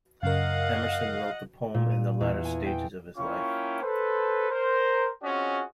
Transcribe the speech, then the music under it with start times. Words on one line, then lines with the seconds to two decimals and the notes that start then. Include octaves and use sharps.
Emerson wrote the poem in the latter stages of his life.
0.23 F#2 C#3 A#4 D#5 F5 F#5
1.74 A#2
1.91 D#7
2.21 E2
2.45 G#5
2.66 G5
3.17 A#3 C#4 E4 F4 G5 C#6
3.82 A4 B4 C5
4.50 A#4 C5
5.23 C4 C#4 F4 F#4 G#4 D#5